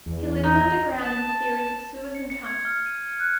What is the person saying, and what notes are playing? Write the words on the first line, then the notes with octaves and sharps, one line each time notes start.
He lives underground in a series of sewers and tunnels.
E2
D#4
A5
C#7
C#7
G#6
F6
D#7
F#6